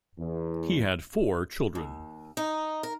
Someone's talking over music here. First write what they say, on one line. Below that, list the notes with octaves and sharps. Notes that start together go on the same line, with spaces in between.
He had four children.
E2
D#2
D#4
A#4